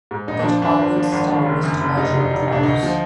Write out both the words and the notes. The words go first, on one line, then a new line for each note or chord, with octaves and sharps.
But Harwood's style was turgid prose.
G#2
A#1 D#4
F3 D4
G#1 D4
G#1
F3
G#1
D#3
F#1
F#2
F#1
F1 D#4
F1
D#4
F1
D#4
F1 D4
D2 D#4
F3